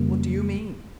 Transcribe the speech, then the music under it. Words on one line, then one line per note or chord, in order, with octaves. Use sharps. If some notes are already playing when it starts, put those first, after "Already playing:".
"What do you mean?"
Already playing: F2 C#3 G3 A#3